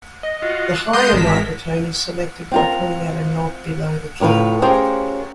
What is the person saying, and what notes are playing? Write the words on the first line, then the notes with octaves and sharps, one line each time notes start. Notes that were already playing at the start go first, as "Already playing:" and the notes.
The higher microtone is selected by pulling out a knob below the key.
D#5
F4 F#4
F#6
G#3 A#4 C6 D#6 G6
G#1 A5 B6
C4 F4 A#4
F2 A2 A#4 B4 F5
C#4 F4 G4 G#4 A#4 C5